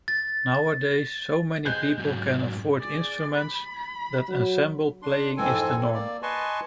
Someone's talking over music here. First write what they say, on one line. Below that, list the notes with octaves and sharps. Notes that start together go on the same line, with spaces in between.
Nowadays so many people can afford instruments that ensemble playing is the norm.
A6
G#4 D#5 F#6 G6
G#2 F#3
G#4 D5
B5
F#3
D4 C6
F2 G#2 E3 C4 A4 G#5
A#3 D5
B4 D#5 G#5 A5 C6 C#6